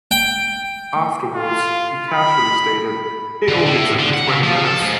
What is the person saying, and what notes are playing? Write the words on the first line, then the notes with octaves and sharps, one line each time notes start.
Afterwards he casually stated "it only took me twenty minutes".
G5
F4
B5
D3
A2
D3
F#5
C#3
F3
A4
G#2